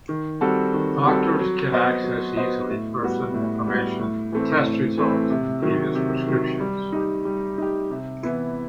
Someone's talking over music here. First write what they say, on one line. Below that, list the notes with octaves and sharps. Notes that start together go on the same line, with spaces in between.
Doctors can access easily person information, test results, and previous prescriptions.
D#3
G3 C4 F#4 A4
D#3
G3 C4 F#4 A4
F#3
B3 F#4 C5 D#5
F#3
B3 F#4 C5 D#5
A2
G3 B3 F#4
A2
G3 B3 F#4
A2
E3 A3 C4
A2
E3 A3 C4
C3
D#3 F#3
C3
D#3 F#3
G3
D#4 G4
G3
D#4 G4
C3
E3 B3 E4